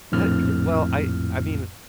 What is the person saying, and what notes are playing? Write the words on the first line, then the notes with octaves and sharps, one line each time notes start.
I y well, I I mean,
A#1 F2 A2 F6